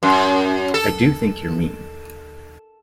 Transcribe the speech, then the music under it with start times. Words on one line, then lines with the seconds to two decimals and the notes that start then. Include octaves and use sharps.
I do think you’re mean.
0.03 F#2
0.74 A4